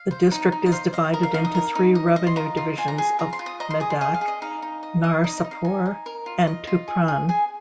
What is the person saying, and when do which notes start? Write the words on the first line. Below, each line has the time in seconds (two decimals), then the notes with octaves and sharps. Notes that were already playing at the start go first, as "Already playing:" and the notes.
The district is divided into three revenue divisions of Medak, Narsapur and Tupran.
Already playing: F5
0.11 C5
0.31 D#4
0.52 D#4
0.66 D#5
0.72 C5 F5
0.93 D#5 F5
1.14 A#4 D#5
1.23 F5
1.34 D#4 F5
1.45 D#6
1.55 A#4
1.75 D#4
1.95 D#5
2.16 D#5
2.27 C6
2.36 F4 A#5
2.57 F4
2.78 F4 G#5
2.88 A#5
2.98 G#4
3.19 F4 A#5
3.33 C6
3.39 F4
3.46 D#6
3.60 D#5 A#5
3.70 C6
3.80 G#4 D#6
3.90 C6
4.01 G#4 D#5
4.14 F5
4.21 G#4
4.28 D#5
4.42 D#4 F5
4.62 D#4
4.83 D#5
5.04 D#5
5.24 D#4 D#5
5.38 D#5
5.44 D#4
5.51 F5
5.65 D#4 G#5
5.86 D#4
6.06 A#4
6.26 F4
6.47 D#5
6.67 F4
6.88 G#4
7.08 G#4
7.29 G#4 G#5